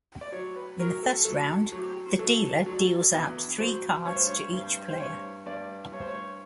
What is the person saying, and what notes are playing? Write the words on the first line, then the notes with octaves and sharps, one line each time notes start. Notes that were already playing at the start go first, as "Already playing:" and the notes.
In the first round, the dealer deals out three cards to each player.
D5
F#3 C#5
B4
F#3 A#4
A4
F#3 A4
F#3
F#3 A4
F#3
E2 B4
F#3 C5
G2 C#5
C5
C#5
G2
C5
G2 C#5
G2 D5
G2 C#5
C5
C#5